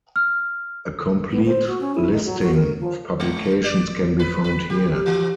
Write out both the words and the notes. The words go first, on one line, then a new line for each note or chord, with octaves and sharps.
A complete listing of publications can be found here.
F6
B3
C5
F#4
C#4
E4
D#3
F#3
F#4
A#4
F3
G#3
D5
B4
B4
G4
E3